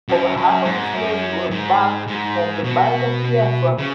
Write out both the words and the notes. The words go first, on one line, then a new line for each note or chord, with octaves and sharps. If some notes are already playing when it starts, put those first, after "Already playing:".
Over half of his slaves were embarked from the Bight of Biafra.
F#2
F#2
G#2
F#2
G#2
G#2
B2
C#3